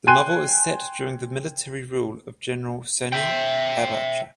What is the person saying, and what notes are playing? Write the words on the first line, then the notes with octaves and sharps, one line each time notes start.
The novel is set during the military rule of General Sani Abacha.
G5 G#5 C6 F#6 D#7
E5 G5